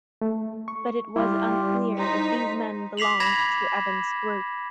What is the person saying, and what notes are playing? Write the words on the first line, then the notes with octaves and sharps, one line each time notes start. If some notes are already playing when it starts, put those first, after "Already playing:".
But it was unclear if these men belonged to Evans' group.
A3
C#6
G3 E4 F4 G4
D#4 C5 A#5 B6
D6 B6 C7 F7 F#7
B5 G#6 A#6 E7